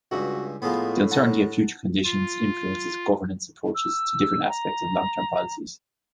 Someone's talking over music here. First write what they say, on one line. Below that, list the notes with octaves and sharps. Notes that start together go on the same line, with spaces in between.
The uncertainty of future conditions influences governance approaches to different aspects of long-term policies.
C#2 G2 F#4
A2 F3 G#3 B3
F#5 A5 A#5
F4
E6
A#5